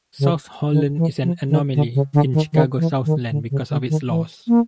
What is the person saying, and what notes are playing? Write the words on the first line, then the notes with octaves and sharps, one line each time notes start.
South Holland is an anomaly in Chicago Southland because of its laws.
C#3
D#3
E3
F3
D#3
D3
C#3
D3
D#3
D#3
E3
D#3
D3
C#3
D3
D#3
E3
A#3